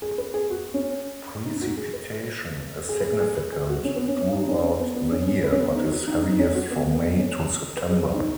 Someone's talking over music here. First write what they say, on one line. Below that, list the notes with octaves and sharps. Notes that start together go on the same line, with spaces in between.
Precipitation is significant throughout the year, but is heaviest from May to September.
G#4
B4
G#4
F#4
C#4
D#4
D#4
F#4
G#4
B4
G#4
B4
G#4
G#4
B4
G#4
F#4
C#4
B3
C#4
C#4
D#4
D#4
C#4
C#4
B3
B3
C#4
C#4
B4
C#4
B3
D#4
F#4
D#4
D#4
C#4
F#4
B3
B3
C#4
B4
G#4
F#4
D#4